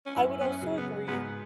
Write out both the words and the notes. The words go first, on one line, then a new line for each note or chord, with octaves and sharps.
I would also agree
C#4
F#2 E4
B3
C#4
C#3 F#3
B3
G#2 B3